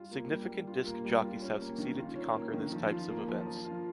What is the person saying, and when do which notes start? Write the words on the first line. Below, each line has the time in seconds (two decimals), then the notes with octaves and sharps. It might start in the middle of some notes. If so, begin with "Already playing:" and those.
Significant disc jockeys have succeeded to conquer this types of events.
Already playing: G3 F4
0.11 A#3
0.31 G3
0.49 G3
0.67 F4
0.86 A#3
1.05 G3
1.23 F4
1.42 C#4
1.60 A#3
1.78 D#3
1.98 F4
2.16 C#4
2.34 A#3
2.53 D#3
2.72 F3
2.91 F4
3.09 A#3
3.28 F3
3.46 F3
3.65 F4